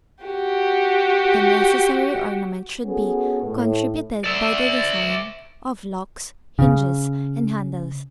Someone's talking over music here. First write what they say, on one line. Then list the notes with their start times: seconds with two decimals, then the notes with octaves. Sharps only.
The necessary ornament should be contributed by the design of locks, hinges and handles.
0.25 F#4 G4
2.85 B3 C#4 F#4 G#4 A4 B4
3.43 A2
4.24 D5 E5
6.59 C#3